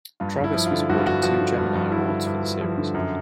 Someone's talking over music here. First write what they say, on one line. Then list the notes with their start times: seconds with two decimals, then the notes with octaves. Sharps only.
Travis was awarded two Gemini Awards for the series.
0.20 G2 F4
0.38 G2
0.44 E4
0.54 F3
0.66 F4
0.71 D3
0.90 G2 F#4
0.98 F4
1.06 G2 F#4
1.23 F3 F#4
1.41 D3
1.58 G2 F4
1.75 G2
1.92 F3 E4
2.09 D3
2.26 G2
2.44 G2
2.61 F3
2.78 D3
2.94 F#2